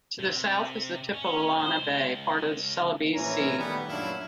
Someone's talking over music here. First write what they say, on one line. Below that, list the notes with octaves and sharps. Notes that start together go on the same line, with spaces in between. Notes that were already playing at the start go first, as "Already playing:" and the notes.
To the south is the tip of Illana Bay, part of the Celebes Sea.
C3
C#4
C5
C#2
A#1 E3 C#4 A#4 G#5 A#5
D#3 G3 A3 B3
F#2 A#2 F#3 D4 E4 F5